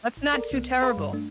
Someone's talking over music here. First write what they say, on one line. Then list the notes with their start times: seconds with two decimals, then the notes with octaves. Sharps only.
That's not too terrible.
0.17 A1
0.33 A4 A#4 D5
0.51 C2 B3
0.82 G#4 B4 F5 B5
0.97 G2 G3
1.13 A3 D4